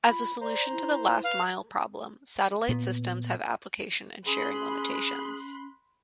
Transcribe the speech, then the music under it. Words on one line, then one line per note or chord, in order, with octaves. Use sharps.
As a solution to the last-mile problem, satellite systems have application and sharing limitations.
F4 B5
C5 D5 A#5
E4
B4 F5
A#2 B3
C#4 G#4 B5 C6 F#6